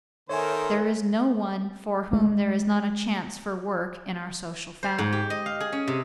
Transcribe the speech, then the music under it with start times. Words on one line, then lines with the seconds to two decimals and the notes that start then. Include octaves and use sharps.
There is no one for whom there is not a chance for work in our social fabric.
0.29 D#3 B3 A4 A#4 C5 C#5 E5 G#5
2.13 G#3
4.83 C5
4.98 G#2
5.12 G4
5.30 D#5
5.46 F5
5.60 G#4
5.72 C#4
5.87 C3